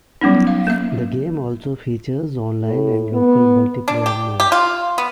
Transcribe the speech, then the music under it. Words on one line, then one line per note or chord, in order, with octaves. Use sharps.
The game also features online and local multiplayer modes.
F#3 G3 B3 C#4 D#4
F5
A#3 E5
A2
B3
D4
G4
G4
F4
B3